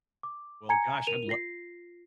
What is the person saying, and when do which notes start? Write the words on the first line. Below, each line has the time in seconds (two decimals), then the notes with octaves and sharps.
well, gosh, I'd lo
0.23 D6
0.69 G#5 A#5 G#6 C#7
1.07 A#4 D#7 F7
1.27 F4 A#6 C7